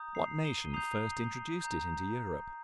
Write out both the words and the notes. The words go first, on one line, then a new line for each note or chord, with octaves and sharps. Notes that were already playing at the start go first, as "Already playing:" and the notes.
What nation first introduced it into Europe?
Already playing: A#5 D#6 G6
C7 F7
D#7 G7
A#5 D#6 G6 C7 F7
A#5 G6